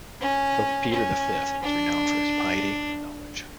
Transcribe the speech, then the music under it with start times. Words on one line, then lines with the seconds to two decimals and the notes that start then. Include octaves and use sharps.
Pope Peter the Fifth was renowned for his piety and knowledge.
0.21 C#4
0.91 C#4
1.62 D4